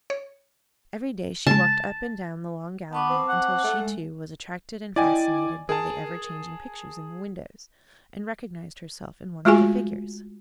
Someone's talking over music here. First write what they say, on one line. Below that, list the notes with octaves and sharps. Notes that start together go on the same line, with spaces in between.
Every day she walked up and down the long gallery, until she too was attracted and fascinated by the ever-changing pictures in the windows, and recognised herself in one of the figures.
C#5
C#3 G#3 A5
B3 A5 C#6 D6
C4
F#5
A3
G#3
E4 D5 D#5 G5 G#5
G#4 A#4 A5
G#3 A3 F4 F#4 G#4 G#5